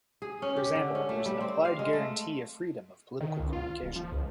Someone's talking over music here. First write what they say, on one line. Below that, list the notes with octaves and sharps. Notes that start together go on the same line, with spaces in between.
For example, there is an implied guarantee of freedom of political communication.
G#4
C#4
G4
D3
C#4
A3
G3
C4
F5
G#3
A3
D#3
C#2
F4
D#1
F3
C#2